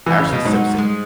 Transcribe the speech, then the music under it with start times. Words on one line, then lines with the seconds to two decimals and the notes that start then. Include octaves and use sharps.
Ashley Simpson.
0.06 E3
0.19 C#3
0.33 B2
0.45 G#2 F#3
0.78 G#3